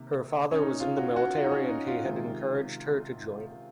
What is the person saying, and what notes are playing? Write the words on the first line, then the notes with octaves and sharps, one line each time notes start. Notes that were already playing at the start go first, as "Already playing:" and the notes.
Her father was in the military and he had encouraged her to join.
Already playing: C3 D#3 A#3
C#4
D#4
F4
F#4
F#4
F4
D#4
C#4
D#4
F4
C3 D#3 G#3